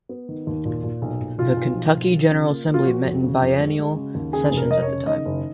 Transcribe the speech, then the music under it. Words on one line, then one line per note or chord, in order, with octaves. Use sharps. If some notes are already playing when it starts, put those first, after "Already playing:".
The Kentucky General Assembly met in biennial sessions at the time.
B3
D#3
D#2
A#2
A#2
B1
A#2
B1 F4
B1
F3
B1
F3
C#3
A#3
A#3
F4
F3 F#4
F2
C#3
F2
G#3
G#3
C#3
D#2
C#3 G#4
F1
A#4
F1 D#5
C#5
C#3
D#3 D#5
F#1